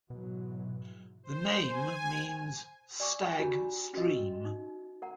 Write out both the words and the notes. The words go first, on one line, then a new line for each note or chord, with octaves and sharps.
The name means 'stag stream'.
G#2 B2 E3 F#3
C5
G#5
D5 G#5 C#6 D6 E6
D#4 F#4 G4 G#5 A#5 B5
C#4 F#4 A#4 D#5
D#4
A#4 F#5 A#5